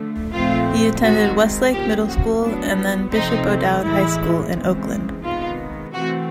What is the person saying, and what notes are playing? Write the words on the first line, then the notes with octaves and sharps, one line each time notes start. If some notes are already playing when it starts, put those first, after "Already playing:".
He attended Westlake Middle School and then Bishop O'Dowd High School in Oakland.
Already playing: D3 F3 A3
A#2 F3 A3 C4 F4
D#3 G#3 C4 F#4
C#3 F3 A#3 G4
F#4
A2 F#3 B3 D4
C3 F3 A3 C4 D#4
A2 E3 G#3 E4
C#3 E3 G#3 C4
C3 D#3 G#3 B3 F4
E3 A3 C4 F#4